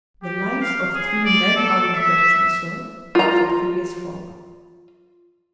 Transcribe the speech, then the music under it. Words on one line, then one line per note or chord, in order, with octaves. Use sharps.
"The lives of three men are in question, sir," said Phileas Fogg.
G4
F5
G#4
D5
A4
E5
F4 A#5